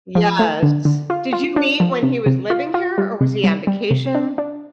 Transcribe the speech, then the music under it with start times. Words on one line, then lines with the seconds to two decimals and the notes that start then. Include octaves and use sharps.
Yes. Did you meet when he was living here, or was he on vacation?
0.15 F3
0.39 A3
0.62 D3
0.85 D3
1.10 F4
1.33 F4
1.56 D4
1.80 F3
2.03 C3
2.26 C3
2.50 F4
2.74 F4
2.98 G3
3.21 C3
3.44 G3
3.67 G3
3.91 C3
4.15 D4
4.38 D4